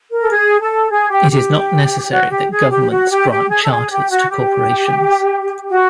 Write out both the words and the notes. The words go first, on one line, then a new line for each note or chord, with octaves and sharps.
It is not necessary that governments grant charters to corporations.
A#4
A4
G#4
A4
G#4
G4
G4
F#4
G4
G#4
G4
F#4
G4
G4
G#4
A4
G#4
G4
F#4
G4
F#4